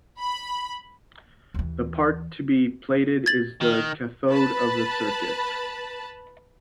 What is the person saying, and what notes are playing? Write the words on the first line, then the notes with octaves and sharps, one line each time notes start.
The part to be plated is the cathode of the circuit.
B5
D#2 E3
G#6 A6 F#7
D#3
B4 A5 B5